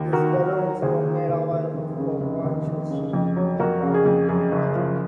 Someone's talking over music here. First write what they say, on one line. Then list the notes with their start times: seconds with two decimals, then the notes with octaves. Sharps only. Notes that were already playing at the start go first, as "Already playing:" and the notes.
These balloons were made available for purchase to the public.
Already playing: D#2
0.13 D#3 F#4 A#4
0.36 D#2
0.59 F#3
0.82 D#2 G#4 C5
1.05 D#3
1.29 D#2
1.52 D#2
1.74 F1
1.98 C#3
2.21 F1
2.44 D#2
2.67 F1
2.90 C#3
3.13 F2
3.36 F#3
3.59 F2 F#4 A#4
3.83 C#3
3.94 G#4
4.06 F2
4.29 F#2 G#4
4.52 F#1
4.75 F3